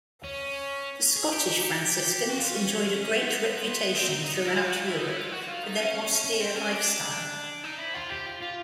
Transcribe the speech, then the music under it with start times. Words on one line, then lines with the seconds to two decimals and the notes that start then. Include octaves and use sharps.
The Scottish Franciscans enjoyed a great reputation throughout Europe for their austere lifestyle.
0.24 C#4
1.16 G#4
1.32 G4
1.47 G4
1.63 G4
2.30 F#4
2.40 F4
2.55 C#4
3.02 C#4
3.17 B3
3.95 C4
4.09 D#4
4.24 D#4
4.34 D#4
4.45 E4
4.56 F4
4.66 F#4
4.77 F4
4.86 E4
4.97 D#4
5.07 E4
5.17 F4
5.32 F#4
5.43 F#4
5.48 F4
5.64 D#4
5.79 C#4
5.94 C#4
6.10 C#4
6.24 C#4
6.40 C4
6.56 C#4
6.71 D4
7.64 D#4
7.78 E4
7.94 F4
8.09 G4
8.26 F4
8.41 F4